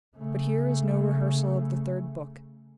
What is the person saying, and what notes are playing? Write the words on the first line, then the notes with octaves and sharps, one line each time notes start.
But here is no rehersal of the third book.
C#3 A3